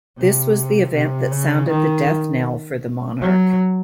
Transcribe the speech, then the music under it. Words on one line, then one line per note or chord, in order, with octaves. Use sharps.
This was the event that sounded the death knell for the monarch.
C3
C3
C#3
D#3
F#3